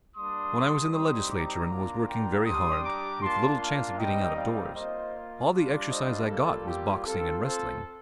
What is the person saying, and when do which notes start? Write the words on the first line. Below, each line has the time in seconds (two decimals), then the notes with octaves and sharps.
When I was in the Legislature and was working very hard, with little chance of getting out of doors, all the exercise I got was boxing and wrestling.
0.16 G3 A#3 D4 C6 D#6
0.92 G3 C4 D#4 G4 C6 D#6
1.31 A#5 D6
1.69 A#3 D4 F4
2.07 G5 A#5
2.46 G3 D4 G4 C6 D#6
2.84 A#5 D6
3.22 A#3 D4 F4 A5 C6
3.60 F5 A5
3.98 G3 C4 D#4 D#5 G5
4.37 D5 F5
4.75 A#3 F4 C5 D#5
5.51 G3 D4 F4
5.89 C5 D#5
6.28 G3 A#3 F4 A4
6.66 G4
7.05 C4 F4 A4
7.42 A4 C5